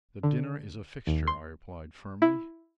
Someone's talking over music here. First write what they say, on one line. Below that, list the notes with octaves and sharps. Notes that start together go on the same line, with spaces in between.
"The dinner is a fixture," I replied firmly.
D3
D#2
C6
E4